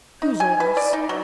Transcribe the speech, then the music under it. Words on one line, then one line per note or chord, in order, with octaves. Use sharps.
"Whose orders?"
D#4
G#5
B4
D5
D#4
F#3